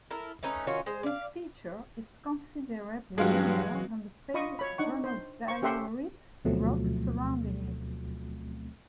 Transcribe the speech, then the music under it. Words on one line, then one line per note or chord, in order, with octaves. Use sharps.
This feature is considerably younger than the pale granodiorite rock surrounding it.
E4 A4 A#4
A3 C#4 D#4 B4
D#3 F#3 C#4 F4
G#3 C5
D5 F5
G2 E3 F#3 G#3 F4 F#4
F4 D#5 B5 C#6 D#6
C#5 B5
D4 D#4 F#5 C#6
C5
C5 C#6
C#4 G4 A4 E5 F#5 C6
D2 B2 F3 F#3 A3 C4